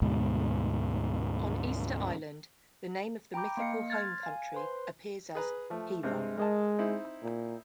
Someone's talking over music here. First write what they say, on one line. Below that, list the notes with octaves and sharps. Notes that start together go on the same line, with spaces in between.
On Easter Island, the name of the mythical home country appears as "Hiva".
D2 G#2 B2
G5 A#5 B5 D6 G6
A#3 D#5 F5 C#7
C6 F6 G#6 A6
F5 G#5
B4 C5 C6
G#4 B4 A#5
F3 A3
G2 C3 G#3 C4
G#3 A#4 D#5 A5
C4 D#4 E4
A#2